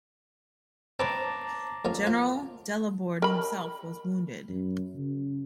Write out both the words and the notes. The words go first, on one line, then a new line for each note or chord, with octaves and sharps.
General Delaborde himself was wounded.
C4 B4 C#5 A5 A#5 D6
F2 A#3 C#4
F4
A#4 B5
F#2
C#3